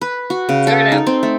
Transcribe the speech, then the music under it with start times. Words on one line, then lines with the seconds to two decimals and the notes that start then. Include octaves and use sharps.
sort of
0.01 B4
0.30 F#4
0.49 C#3
0.67 A4
0.92 D#4
1.07 C4
1.23 A3